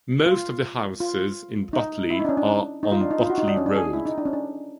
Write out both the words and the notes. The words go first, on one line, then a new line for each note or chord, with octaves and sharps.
Most of the houses in Botley are on Botley Road.
F4
F4
D#4
E4
D#4
D4
C#4
D4
D#4
F4
D4
D#4
F4
F#4
D#4
D4
C#4
D4
G#4
E4
D#4
D4
C#4
D4